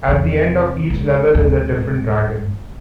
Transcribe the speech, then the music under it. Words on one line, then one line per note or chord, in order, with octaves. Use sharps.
At the end of each level is a different dragon.
E2 C3
C#2
D2 G#2